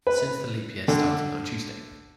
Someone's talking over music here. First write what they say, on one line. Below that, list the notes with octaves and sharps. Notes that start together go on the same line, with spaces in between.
Since the leap year starting on Tuesday.
B4
D3